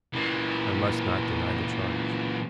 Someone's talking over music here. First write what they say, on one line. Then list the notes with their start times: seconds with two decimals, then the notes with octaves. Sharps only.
"I must not deny the charge."
0.13 A#2 E3